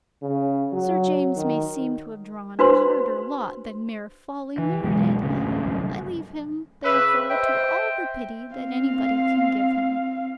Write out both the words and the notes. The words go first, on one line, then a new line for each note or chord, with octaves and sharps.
Sir James may seem to have drawn a harder lot than mere folly merited; I leave him, therefore, to all the pity that anybody can give him.
C#3
F#3
D#3
D4 F#4 B4 C5 C6
E3
C#2 F#2 B2 G#3
A1 D2 C#3
G1 C2 F#2
C#3 B4 E5
C5 D#5 E5 G5
C4 F5